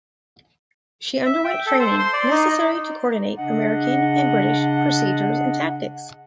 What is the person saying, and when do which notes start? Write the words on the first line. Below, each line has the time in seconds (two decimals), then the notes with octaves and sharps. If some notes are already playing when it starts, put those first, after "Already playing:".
She underwent training necessary to coordinate American and British procedures and tactics.
1.26 E5
1.44 G5
1.66 A4
1.79 C5
1.99 C6
2.13 D5
2.31 D#4
3.37 C#3 D4 D#5 F#5